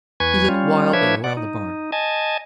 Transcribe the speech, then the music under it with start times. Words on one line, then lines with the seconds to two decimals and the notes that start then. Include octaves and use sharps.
He looked wildly around the barn.
0.20 E2 B4 G#5 C#6 G#6
0.49 G3 C#4 F4
0.93 F3 D4 B4 C#5 E5 G#6
1.24 D5 F#5
1.37 D#4
1.92 D#5 G#5 A5